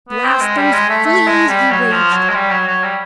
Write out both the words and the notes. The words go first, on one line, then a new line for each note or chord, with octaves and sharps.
"Blast those fleas!" he raged.
B3
C4
G#3
G3
G#3
A3
A3
G#3
G3
F#3
F3
F#3
G#3
G3
F#3
F#3
G3